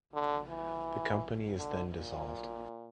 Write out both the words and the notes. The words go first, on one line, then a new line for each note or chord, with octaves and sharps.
The company is then dissolved.
D3
E3
D3
A#2